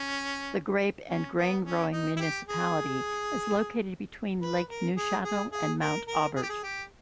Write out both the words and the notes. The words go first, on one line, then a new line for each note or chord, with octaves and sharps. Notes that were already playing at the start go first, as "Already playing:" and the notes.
The grape and grain growing municipality is located between Lake Neuchatel and Mont Aubert.
Already playing: C#4
C#4
B3
C#4
D#4
E4
G4
G#4
B4
A#4
G#4
G#4
G#4
A#4
A#4
G#4
G4
G#4
G4